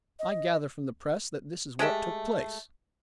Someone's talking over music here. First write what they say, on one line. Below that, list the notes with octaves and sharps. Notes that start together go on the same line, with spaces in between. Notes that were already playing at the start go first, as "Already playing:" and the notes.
I gather from the press that this is what took place.
D#5
G#3 A3 G4 E5